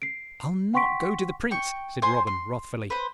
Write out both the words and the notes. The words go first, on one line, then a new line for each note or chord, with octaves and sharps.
"I'll not go to the Prince," said Robin, wrathfully.
C7 D7
F#5 G5 C6 C#6 B6 D7
G5 C#6
C5 G#5 C6
C6
B4 C5